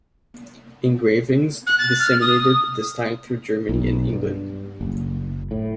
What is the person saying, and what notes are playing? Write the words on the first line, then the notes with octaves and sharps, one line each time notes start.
Engravings disseminated the style through Germany and England.
F#6
A6
F6
D#6
B1
G2
F#1
A2